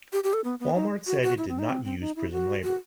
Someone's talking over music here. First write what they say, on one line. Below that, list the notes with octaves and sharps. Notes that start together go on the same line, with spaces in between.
Walmart said it did not use prison labor.
G4
G4
A4
B3
B3
D#4
F#4
F#4
E4
C4
D#4
C4
C4
D#4
E4
F#4
F#4